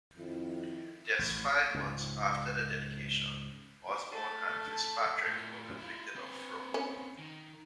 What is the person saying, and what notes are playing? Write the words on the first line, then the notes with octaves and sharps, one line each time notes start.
Just five months after the dedication, Osborne and Fitzpatrick were convicted of fraud.
F2 D#3 E4
A1
C#2 G#2
A3
A2 F4
E4 F4
C4 B4
C#4
D#3